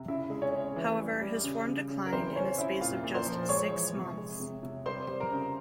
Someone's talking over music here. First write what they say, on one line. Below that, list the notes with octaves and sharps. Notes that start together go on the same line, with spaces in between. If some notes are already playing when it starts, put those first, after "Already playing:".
However, his form declined in a space of just six months.
Already playing: C3
C#3 E4 E5
G#3
C#4 C#5
G#3
E3
G3
G3
C#3
C#3
C#3
A#4
E3 C4 C5
C#3 C#4 C#5
C#3 E4 E5
A#2 F4 F5
A#2
C5 C6
F3
G#3 C#5 C#6
E3
C3
G#3
C3
C3
G3 C5 C6
G3
A#4 A#5
C#3